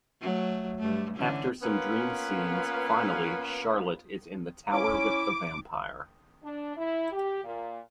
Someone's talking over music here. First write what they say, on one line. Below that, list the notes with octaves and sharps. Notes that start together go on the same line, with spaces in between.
After some dream scenes, finally, Charlotte is in the tower with the vampire.
F#3 A3
G2 A3
D3 E3 C#4
A#3 B3 C#4 F4 B4
C#4 E4 D6
D4
E4
G4
A#2